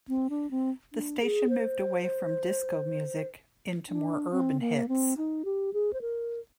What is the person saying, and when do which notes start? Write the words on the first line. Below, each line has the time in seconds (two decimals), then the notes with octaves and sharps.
The station moved away from disco music into more urban hits.
0.08 C4
0.30 D4
0.51 C4
0.93 D4
1.21 G#4
1.49 C5
3.89 D4
4.32 C4
4.60 A#3
4.88 C4
5.17 D#4
5.45 G4
5.73 G#4
5.93 C5
6.01 A#4